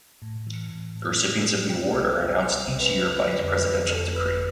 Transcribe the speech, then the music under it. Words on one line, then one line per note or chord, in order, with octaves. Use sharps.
The recipients of the award are announced each year by presidential decree.
A2
E3
A2
A2
A2
B3
B2 G5
C2
E5
G3
C2 C5
C2
B4
G3
D3 B4
F2
B4
F2
F2 A4
G1 B4